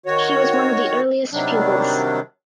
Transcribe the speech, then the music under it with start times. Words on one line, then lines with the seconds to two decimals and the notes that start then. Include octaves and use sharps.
She was one of the earliest pupils.
0.06 D#3 F#4 C#5
1.32 C3 D#3 F#3 G3 D4